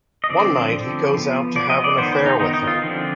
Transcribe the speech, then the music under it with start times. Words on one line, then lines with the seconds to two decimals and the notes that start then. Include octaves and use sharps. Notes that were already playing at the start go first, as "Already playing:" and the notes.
One night, he goes out to have an affair with her.
0.24 D#5
0.29 D3 F3 C4 D5
0.72 D3 F3 C4
1.14 F3 B3
1.56 F3 B3 D5
1.70 D#5
1.84 D5
1.98 D#3 B3 C5
2.12 C5
2.26 D#4
2.40 D#3 B3 D#4
2.54 D#4
2.67 F4
2.82 D3 F3 C4